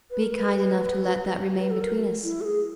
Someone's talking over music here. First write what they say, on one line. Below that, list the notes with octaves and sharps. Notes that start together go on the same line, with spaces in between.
Be kind enough to let that remain between us.
B4
A#4
B4
B4
A4
A#4
E4
A4
G#4